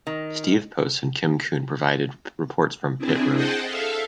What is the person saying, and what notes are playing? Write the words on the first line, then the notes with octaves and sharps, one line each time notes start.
Steve Post and Kim Coon provided reports from pit road.
D#3
C4 D4 E4 G#4
G#4 C5 D#5 F#5 G5 A5
A4 E5 F5